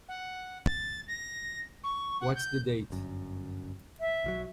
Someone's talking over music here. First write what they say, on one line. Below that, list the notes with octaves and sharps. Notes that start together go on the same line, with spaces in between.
What's the date?
F#5
A6
A#6
C#6
F#5
G6
G1 F#2
E5
B1 F3 F#3